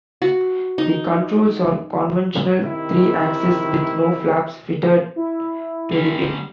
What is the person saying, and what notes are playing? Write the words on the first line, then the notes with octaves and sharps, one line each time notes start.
The controls are conventional three-axis, with no flaps fitted to the wing.
F#4
D#4
C3 D#3 E4
E4
D3 G3